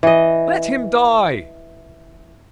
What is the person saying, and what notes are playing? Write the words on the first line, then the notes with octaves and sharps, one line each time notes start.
'Let him die!
E3 D#5